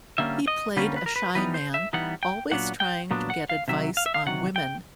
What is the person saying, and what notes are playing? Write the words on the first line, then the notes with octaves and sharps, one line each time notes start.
He played a shy man, always trying to get advice on women.
D3 G3 A#3 C#4 E5
D#5
D3 G3 A#3 C#4 B4
B4
A#4
B4
E3 G3 B3 D#4 B4
C5
E5
E3 G3 B3 D#4 F#5
G5
A#2 F#3 B3 D4 F#5
G5
A#2 F#3 B3 D4
F#5
F5
C3 D#3 F#3 E5
F5
E5
F5
C3 D#3 F#3 F#5
G5